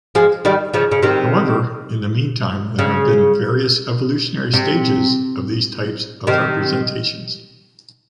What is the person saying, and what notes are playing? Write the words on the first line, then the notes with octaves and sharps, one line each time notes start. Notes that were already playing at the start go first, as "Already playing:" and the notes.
However, in the meantime there have been various evolutionary stages of these types of representations.
F3 G#3
D#3 G3
C#3 F3
C#3
C3 D#3
C#3
C3
C3 D#3